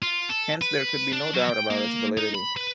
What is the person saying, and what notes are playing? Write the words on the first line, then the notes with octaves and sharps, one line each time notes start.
Hence there could be no doubt about its validity.
F4
A4
B4
D4
F#3
G5
A#3
D#4
B5
B4